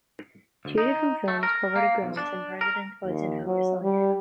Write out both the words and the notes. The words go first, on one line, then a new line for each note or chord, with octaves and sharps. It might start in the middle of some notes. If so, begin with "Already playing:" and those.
Two different films cover the grounds and President Eisenhower's life.
D2
D#4
A3
A#4
A#3
B1
D4
A#4
D#2
F#3
G3